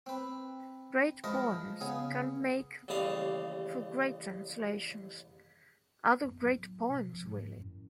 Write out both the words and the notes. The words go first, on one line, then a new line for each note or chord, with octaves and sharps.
Great poems can make for great translations, other great poems really.
C4 B4
F3 G#3 A#4 B4 D#5 A5
C#3 B3 G#4 G#5
A1 D#2 C#3 G3 D#5 F5
F#2 B3
A2 F#3
B2
F3 F#3
G#2
F#2 A2